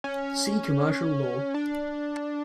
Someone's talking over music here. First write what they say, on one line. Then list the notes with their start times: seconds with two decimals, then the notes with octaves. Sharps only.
See commercial law.
0.04 C#4
1.54 D4